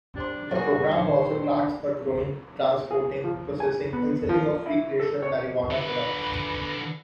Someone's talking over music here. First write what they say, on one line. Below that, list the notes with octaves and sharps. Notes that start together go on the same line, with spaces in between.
The program also tracks the growing, transporting, processing and selling of recreational marijuana products.
D4 G4 C5 C6
G3 A#3 F#4 G#4 A#4
D2 A#2 D#3 C5 C#5
D4
G#4
F3
G#5
B3
F3
E4
A4
C#5
D3 B4